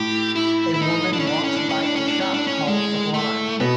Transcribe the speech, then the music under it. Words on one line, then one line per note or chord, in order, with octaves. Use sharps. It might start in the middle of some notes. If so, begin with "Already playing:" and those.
A woman walks by a shop called Sublime.
Already playing: A2 G4
E4
E4
D#4
D4
C#4
D4
C#4
D4
C#4
D4
C#4
D4
C#4
D4
C#4
G#3
A3
B2 B3